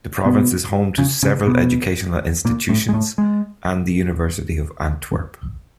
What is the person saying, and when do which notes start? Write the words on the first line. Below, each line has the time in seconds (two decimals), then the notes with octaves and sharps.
The province is home to several educational institutions and the University of Antwerp.
0.25 B2 B3
0.98 C#3 C#4
1.23 C#3 C#4
1.47 B2 B3
2.45 A#2 A#3
2.69 A2 A3
2.89 G#3
2.93 A2 A3
3.18 G#3